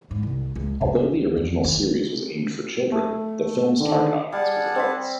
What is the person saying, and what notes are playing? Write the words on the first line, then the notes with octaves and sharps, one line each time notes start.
Although the original series was aimed for children, the film's target audience was adults.
G#2
C2
C#2
C#3
D2
F2
D#3
A3
A3
D3 D#3
G3 G#4 F#5 A5
C4 C5 B5